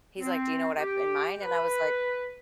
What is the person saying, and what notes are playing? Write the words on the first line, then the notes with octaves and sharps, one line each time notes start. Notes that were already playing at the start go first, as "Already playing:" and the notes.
He's like, "Do you know what I put in mine?" And I was like
C4
G4
B4